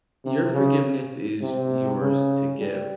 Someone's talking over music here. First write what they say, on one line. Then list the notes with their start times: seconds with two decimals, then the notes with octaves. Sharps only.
your forgiveness is yours to give,
0.25 C3
0.54 C#3
1.42 C3
2.00 C#3
2.59 G3